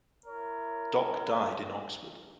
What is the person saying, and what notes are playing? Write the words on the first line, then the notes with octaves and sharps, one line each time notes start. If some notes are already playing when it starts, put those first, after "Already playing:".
Dock died in Oxford.
E4 A#4 C#5